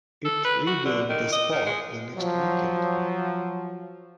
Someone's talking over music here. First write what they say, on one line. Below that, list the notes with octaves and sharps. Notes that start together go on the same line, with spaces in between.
It regained the spot the next weekend.
A4
B4
F#4
D3
D#3
D#5
D#3
G#3
F3 F#3